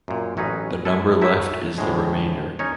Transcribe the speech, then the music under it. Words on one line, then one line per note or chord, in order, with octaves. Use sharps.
The number left is the remainder.
F#2 A#2
A1 F#3 C#4 D#4 B4
G#3 E4 A4
F#3 A3 D#4 E4 E5
D2 A2 G#3
C#4 D#4 C#5